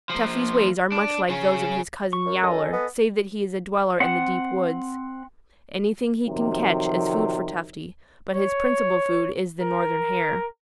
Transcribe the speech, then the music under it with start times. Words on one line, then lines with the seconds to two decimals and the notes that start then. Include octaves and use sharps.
Tufty's ways are much like those of his cousin, Yowler, save that he is a dweller in the deep woods. Anything he can catch is food for Tufty, but his principal food is the Northern Hare.
0.10 F3 A#3
0.92 D4
1.29 C#3 C#4
2.13 C#6
2.26 F#2
2.43 A4 D#5 G#5
2.73 B3
4.00 C4 F#5
6.27 F2 C3 D#3 F#3
8.34 C#5
9.61 A#4